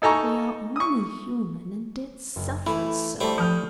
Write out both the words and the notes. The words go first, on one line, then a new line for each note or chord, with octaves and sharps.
We are only human, and did suffer so.
D#4 A4 G#5 A#5 C#6
C#6 D#6
F#1
E3 A3 E4
G3 A3 E4 C5 A5
F3 D#6 F6 G6